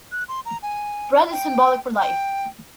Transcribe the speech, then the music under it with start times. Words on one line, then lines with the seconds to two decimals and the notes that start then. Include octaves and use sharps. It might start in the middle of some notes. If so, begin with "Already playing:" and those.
Bread is symbolic for life.
0.12 F#6
0.29 C6
0.46 A#5
0.63 G#5
1.31 G5
2.00 G5